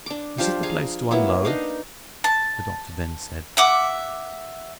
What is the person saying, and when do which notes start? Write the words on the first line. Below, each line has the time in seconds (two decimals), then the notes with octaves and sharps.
"This is the place to unload," the doctor then said.
0.06 D4 D6
0.38 F3 D4 F4 G4
0.63 G#4 F5 G#5 A#5
1.11 F#3 A#3 B3 E4
1.45 D4 D#4 D#5 F5
2.24 A5
3.57 E5 F#5 D6